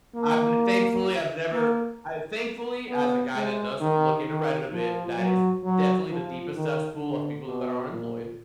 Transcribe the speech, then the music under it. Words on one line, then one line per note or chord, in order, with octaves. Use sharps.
I've n Thankfully, I've never I Thankfully, as a guy that does look into Reddit a bit, that is definitely the deepest cesspool of people that are unemployed.
A#3
A#3
B3
G#3
D#3
D#3
F3
F#3
F#3
F3
D#3
D3
B2
A#2